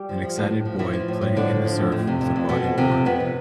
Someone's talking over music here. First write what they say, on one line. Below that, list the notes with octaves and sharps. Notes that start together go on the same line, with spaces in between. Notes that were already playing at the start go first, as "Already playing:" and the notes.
An excited boy playing in the surf with a body board.
Already playing: G3 G4
F3
F3
A2
A2
F3
E3 F3 E4
F3
A2
A2
D3 F3 D4
A2
F3
A2
F2 A3
C3
F2
F2
F2 B2 B3
F2
C3 F3 C4
F2
F2 B3 B4
C3